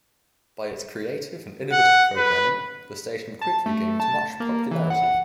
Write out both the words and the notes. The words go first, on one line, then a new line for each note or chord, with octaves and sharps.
By its creative and innovative programming, the station quickly gained much popularity.
F#5
B4
A5
A3
A5
A#3
E3
F#5